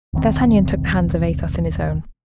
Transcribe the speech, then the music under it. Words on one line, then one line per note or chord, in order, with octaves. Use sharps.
D'Artagnan took the hands of Athos in his own.
E1 C2 D#3 C4